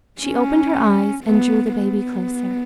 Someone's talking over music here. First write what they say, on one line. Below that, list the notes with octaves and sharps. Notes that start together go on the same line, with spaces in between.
She opened her eyes and drew the baby closer.
C#4
B3
B3